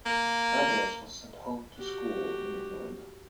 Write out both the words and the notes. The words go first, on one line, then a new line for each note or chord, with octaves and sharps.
Douglas was sent home to school in England.
A#3
F#4 G4